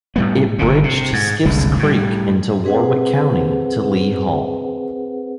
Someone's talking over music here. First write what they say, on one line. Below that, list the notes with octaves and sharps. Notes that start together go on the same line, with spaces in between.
It bridged Skiffe's Creek into Warwick County to Lee Hall.
A2 G3 B3
G1 A#2
C3
G#2
F#1 C2 D3 G#3
A2 G3
C4 G#4 B4 C5 F#5